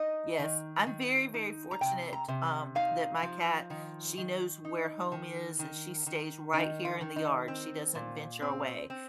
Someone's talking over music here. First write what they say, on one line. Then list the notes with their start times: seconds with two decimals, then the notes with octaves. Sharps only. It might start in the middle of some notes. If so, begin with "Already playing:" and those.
Yes. I'm very, very fortunate, um, that my cat she knows where home is, and she stays right here in the yard. She doesn't venture away.
Already playing: D#4 D#5
0.39 D#3
0.87 D#3
1.34 D#4
1.71 A#5
1.81 C3 G5
2.13 A#5
2.28 C3
2.75 D#4 F5
3.23 F3
3.70 D#3
4.17 D#3
4.65 D#4
5.12 D#3
5.59 D#3
6.06 D#3
6.53 D#3 D#4
6.85 F4
7.01 D#3
7.16 D#4
7.48 C4
7.95 A#2
8.42 C4
8.90 C4